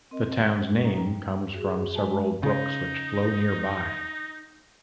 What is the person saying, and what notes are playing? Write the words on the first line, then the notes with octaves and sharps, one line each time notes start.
The town's name comes from the several brooks which flow nearby.
C4 A#4 D#5
G#3
C#4 D#4 A#5
G3
F#4 G#4
G#3 B4 G#5 A5
C#3 D#4